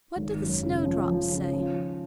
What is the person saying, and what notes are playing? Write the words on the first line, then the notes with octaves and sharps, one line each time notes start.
What did the Snowdrops say?
G#1
F#2
C#3
F3
F3
C#3
F3